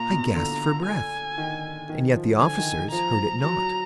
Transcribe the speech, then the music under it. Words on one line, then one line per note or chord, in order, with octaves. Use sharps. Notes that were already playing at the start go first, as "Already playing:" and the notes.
I gasped for breath--and yet the officers heard it not.
Already playing: A#2 A#5
B2
D3 A#5
G#5
D#3
D#3
F3
D3 G#5
D#3
F3 A#5
F#3 A#5